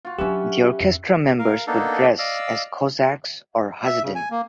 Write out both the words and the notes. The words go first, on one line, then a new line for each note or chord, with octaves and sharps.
The orchestra members would dress as Cossacks or Hasidim.
F4 F#4
F#3 C#4 D4 G4 B4 E5
F2
A#4 F5
A#3 B3 D4 D#4 A4
D5 D#5 F5 E6
E5
C#3
G#5
A#3